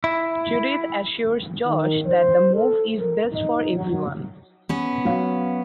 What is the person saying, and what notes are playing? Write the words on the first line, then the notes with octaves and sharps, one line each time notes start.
Judith assures Josh that the move is best for everyone.
E4
D#3
C5
A4
A#4
D#4
F#3
B3 C#4
F#3 F5